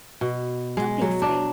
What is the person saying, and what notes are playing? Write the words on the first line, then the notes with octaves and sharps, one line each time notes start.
Don't be afraid.
B2
G#3
F#3
D4